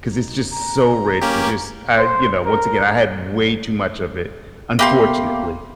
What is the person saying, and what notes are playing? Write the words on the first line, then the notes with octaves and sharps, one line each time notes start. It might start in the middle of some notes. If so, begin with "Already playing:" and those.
'cause it's just so rich and just, uh, you know, once again, I had way too much of it, unfortunately.
D#4
A#5
A#3 C#4 G4
C5
A#4
A#3 B3 G4 E5 B5 C6